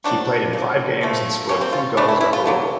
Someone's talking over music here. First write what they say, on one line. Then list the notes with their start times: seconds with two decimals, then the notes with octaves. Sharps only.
She played in five games and scored two goals overall.
0.04 C3 D#3 F#3 D4
0.53 C#3 F3 A#3
1.01 D3 F3 A3
1.49 B2 G3 A#3 C#4
1.61 C4
1.73 F4
1.97 C#3 E3 A3 D4
2.09 E4
2.21 E4
2.33 F4
2.45 C#3 F#3 A#3